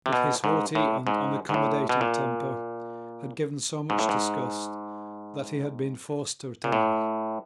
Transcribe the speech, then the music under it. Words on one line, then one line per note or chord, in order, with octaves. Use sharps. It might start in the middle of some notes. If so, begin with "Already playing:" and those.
But his haughty and unaccommodating temper had given so much disgust that he had been forced to retire.
C3
B2
G#2
A2
G#2
G#2
A2
B2
A#2
G#2
A2
G#2
A#2
A2